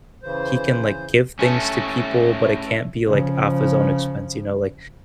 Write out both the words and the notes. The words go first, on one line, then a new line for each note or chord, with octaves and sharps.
he can, like, give things to people but it can't be, like, off his own expense, you know, like,
C#3 E3 C5
A3 C#4
C#3 F3